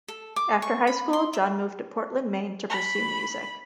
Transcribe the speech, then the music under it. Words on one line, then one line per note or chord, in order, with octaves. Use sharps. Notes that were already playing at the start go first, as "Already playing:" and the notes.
After high school, John moved to Portland, Maine, to pursue music.
A4
D6
C#6
B5
C6
E5
B5